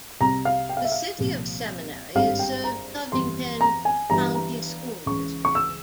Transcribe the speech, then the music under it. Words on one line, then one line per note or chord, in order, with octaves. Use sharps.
The city of Seminary is served Covington County School District.
C2 C3 G3 A#5
F5
G5
F5
E5
F5
C2 A#2 F3
G#1 G2 G3 F5
G5
A#5
G1 F2 E3 G3 C6
A#5
G#5
G1 G2 E3 G3 A#5
A#5
C#2 C#3 E3 C#6
C#6
E6